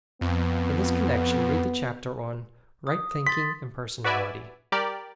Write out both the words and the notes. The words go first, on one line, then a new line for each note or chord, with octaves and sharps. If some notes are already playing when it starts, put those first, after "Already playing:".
In this connection read the chapter on "Right Thinking and Personality."
F2 B3
D#6
C6 A6 B6
F#4 B4 D5 E5 G#5
G3 G4 A#4 D5